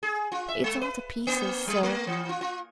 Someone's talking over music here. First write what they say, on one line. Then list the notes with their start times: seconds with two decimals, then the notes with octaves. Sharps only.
'It's all to pieces, sir.
0.03 G#4
0.32 F4
0.49 E5
0.64 G#3
0.81 B4
1.27 A#3
1.68 G3
1.83 A3
2.07 E3
2.29 F4
2.41 F4